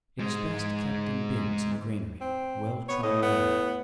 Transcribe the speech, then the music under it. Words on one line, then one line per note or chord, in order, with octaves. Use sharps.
It is best kept in bins in a granary, well trodden down.
G#2 G#3
C4
B3 C#5
A2 D#5
B3